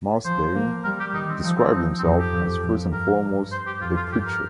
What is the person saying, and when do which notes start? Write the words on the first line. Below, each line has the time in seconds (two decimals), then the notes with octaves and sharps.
Marsden described himself as first and foremost a preacher.
0.25 F3 C5
0.55 A#3
0.84 G3 A#4
1.00 G4
1.14 D#3 D#4
1.29 C4
1.44 F3 D#4
1.57 C4
1.72 D#4
1.99 C4
2.04 F2 D#4
2.18 G4
2.33 F2
2.64 F2
2.92 G2 A#4
3.23 G2
3.52 C5
3.67 G4
3.81 F2 F4
3.96 F4
4.11 G2 G4
4.27 A#4